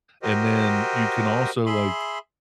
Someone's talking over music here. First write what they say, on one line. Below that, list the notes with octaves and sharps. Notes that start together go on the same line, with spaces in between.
and then you can also, like,
F#4 G4 A#4 C5 D#5
G#4 E5 B5 C6